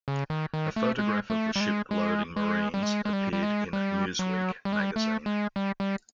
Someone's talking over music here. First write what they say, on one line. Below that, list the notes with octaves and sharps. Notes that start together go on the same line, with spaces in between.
A photograph of the ship loading Marines appeared in "Newsweek" magazine.
C#3
D#3
D#3
A3
G#3
A3
G3
G#3
G#3
G#3
G3
G#3
G#3
G3
G3
G#3
G3
F#3
G3
G#3
G3
A3
G#3
G3
G3